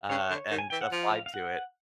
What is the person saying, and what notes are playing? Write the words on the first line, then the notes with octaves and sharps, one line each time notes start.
uh, and applied to it.
C#3 C#5
D3
D#3
G#5
E3 G5
F#5
F3 F5
F5
F#5